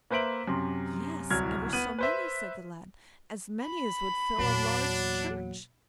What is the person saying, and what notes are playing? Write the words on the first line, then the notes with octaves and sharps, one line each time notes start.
'Yes, ever so many', said the lad, 'as many as would fill a large church.'
A#3 B4 C5 E5 D7 F#7
F#2 C3 C6
D1 C2 F#3 F6 G#6
B3 D#7 F#7
B4 C5 E5
B5
E2 A#2 F#3 D4